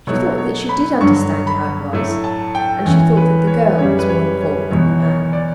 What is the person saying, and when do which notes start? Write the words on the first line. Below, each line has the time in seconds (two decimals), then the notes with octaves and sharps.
She thought that she did understand how it was, and she thought that the girl was more in fault than the man.
0.07 B2 F#3 A3 C#5
0.38 C#5
0.69 B5
1.00 G2 D3 F#3 C#6
1.47 B5
1.93 A2 F#3 A3
2.24 A5
2.55 G5
2.85 E2 C#3 E3 C#5
3.17 B4
3.47 C#5
3.78 F#2 C#3 G3 C#5
3.99 B4
4.09 C#5
4.41 C#5
4.71 E2 B2 F#3 C#5
5.02 C#5
5.33 D5